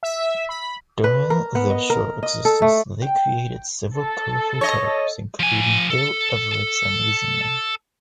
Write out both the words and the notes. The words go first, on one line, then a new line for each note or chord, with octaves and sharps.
During their short existence, they created several colorful characters, including Bill Everett's Amazing-Man.
E5
B5
B4
A#4
B3
D#5
A#4
D#5
A4
A3
G5
A4
C#5 D#5
F3 G#5
A4